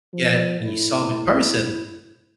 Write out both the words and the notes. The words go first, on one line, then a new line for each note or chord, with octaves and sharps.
Yet when you saw him in person,
F3
A2 E4